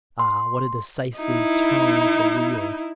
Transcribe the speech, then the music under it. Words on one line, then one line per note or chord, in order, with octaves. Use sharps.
Ah, what a decisive turn of the wheel!
C6
D#4 E4